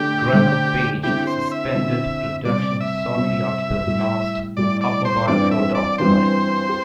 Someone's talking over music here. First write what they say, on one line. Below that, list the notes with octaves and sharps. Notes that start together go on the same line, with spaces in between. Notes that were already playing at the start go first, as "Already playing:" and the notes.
Graham-Paige suspended production shortly after the last Hupmobile rolled off the line.
Already playing: D3 A3 D4 G4
D3 A3 D4 C5
D3 C4 E4 G4
C5
E5
D3 C4 E4
C3 G3 C4 D5
E5
C3 G3 C4
A2 G3 E4
A2 G3 E4 D5
D5
C5
G2 E3 G3 C4 D5
E5
D5
G2 E3 G3 C4 C5
G4